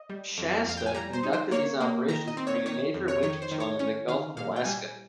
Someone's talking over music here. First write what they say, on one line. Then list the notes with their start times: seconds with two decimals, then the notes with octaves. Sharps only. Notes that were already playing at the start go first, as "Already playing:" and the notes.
"Shasta" conducted these operations during a major winter storm in the Gulf of Alaska.
Already playing: D#5
0.09 G3
0.38 F2
0.67 F2 F5
0.77 G5
0.86 G#5
0.95 G3 A#5
1.13 C5
1.23 D#4
1.33 C5
1.51 A#3 C#5
1.81 A#3
2.08 D#3 A#5
2.27 D#5
2.37 C4
2.47 C#5
2.66 D#3 C#5
2.94 F2
3.08 C#5
3.23 D#3 C#5
3.42 C5
3.51 D#3
3.60 C#5
3.79 C#4 C#5
4.08 D#3 F5
4.37 A#2 F5
4.56 G5
4.65 G3 G#5